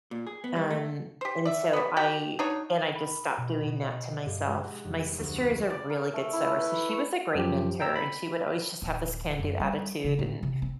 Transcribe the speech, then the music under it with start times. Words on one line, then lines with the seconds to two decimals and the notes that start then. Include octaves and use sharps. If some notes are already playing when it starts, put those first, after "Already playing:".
Um, and so I and I just stopped doing that to myself. My sister is a really good sewer, so she was a great mentor, and she would always just have this can-do attitude, and,
0.11 A#2
0.27 G#4
0.44 B3
0.56 G3
0.70 A3
1.21 G4 C5
1.45 D5 E5
1.73 G3 B3
1.97 F#4 G4 A#4 G5
2.39 D4 D#4 F#4 C#5
2.95 B5
3.37 B2
3.65 B2
3.81 D#5
4.03 C7
4.25 G2
4.47 G#3
4.63 F#5
4.84 F1
5.18 D2
5.31 D4
5.70 D5
5.90 A#4
6.13 A3
6.33 E4
6.57 B4
6.89 C#6
7.35 F#2 F3 G4
7.80 G5 A#5 E6
7.96 B5
8.82 D1
9.39 F#2
9.60 G3
10.04 C#3
10.19 A2
10.43 C3
10.62 C4